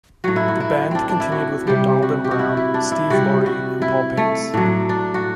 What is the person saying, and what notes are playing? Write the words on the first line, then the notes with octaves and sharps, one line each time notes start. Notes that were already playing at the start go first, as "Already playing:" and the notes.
The band continued with McDonald and Brown, Steve Loree and Paul Paetz.
A2 F#3 F#4
E4
F#4
E4
C4 D4
D4
E4
F#4
C3 G3 G4
F#4
G4
F#4
E4
E4
D4
E4
C3 G3 F#4
F#4
E4
A3
A2 F#3 D4
D4
F#4